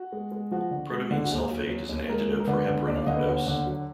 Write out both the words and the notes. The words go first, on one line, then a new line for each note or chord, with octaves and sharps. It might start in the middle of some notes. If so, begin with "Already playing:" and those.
Protamine sulfate is an antidote for heparin overdose.
Already playing: F#4
G#3
G#3
F3 F#4
D3
G#3
D3
F#4
D#2 G#4
F#3
F#3
D#2
G#3 A#4
G#3
A#4
D3 B4
D3
D#2 D5
F5
D3 D#5
B4
D#2 F#4
D3
F#3